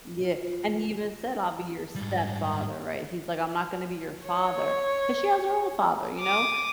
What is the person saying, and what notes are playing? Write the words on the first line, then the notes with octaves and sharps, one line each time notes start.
Yeah, and he even said, "I'll be your stepfather," right, he's like, "I'm not gonna be your father," 'cause she has her own father, you know,
F4
G#2 G3
C#5
D6 D#6